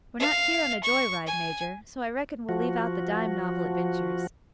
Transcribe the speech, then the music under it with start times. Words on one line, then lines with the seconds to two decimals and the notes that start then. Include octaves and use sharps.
We're not here on a joy-ride, Major, so I reckon we'll leave out the dime-novel adventures.
0.20 F5
0.83 C#6
1.27 G#5
2.49 F3 F#4